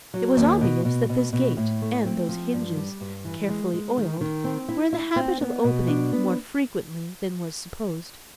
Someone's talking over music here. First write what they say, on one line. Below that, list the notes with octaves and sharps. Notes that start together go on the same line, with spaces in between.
It was obvious that this gate and those hinges, carefully oiled, were in the habit of opening more frequently than was supposed.
F#3
D#2
B2
B2
B2
B2
A2
A3
C4
F3
G2
G3
G2
E3
G#3
G#3
D#3
D#3
C4
E4
E4
C4
B3
B2
D4
B3